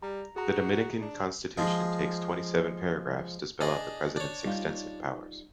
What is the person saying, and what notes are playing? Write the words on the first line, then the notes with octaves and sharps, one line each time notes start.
The Dominican Constitution takes twenty-seven paragraphs to spell out the president's extensive powers.
G3 A#5
F#4 G#4 A#5
D4
F3 G#3
D4 G#4 D#5
D4 C#5
G3 D#4 F4